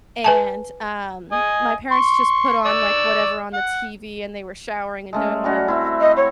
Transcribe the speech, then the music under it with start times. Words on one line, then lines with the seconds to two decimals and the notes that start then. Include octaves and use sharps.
and, um, my parents just put on, like, whatever on the TV and they were showering and doing whatever,
0.24 B4 G#5 A5
1.32 D#5 G#5
1.91 C6 C#6
2.65 D5 C#6 E6
3.53 F#5
5.13 G#3 A3 C#4
5.44 G3 C#4 F#4
5.68 C4 E4
6.01 D#5
6.17 C#5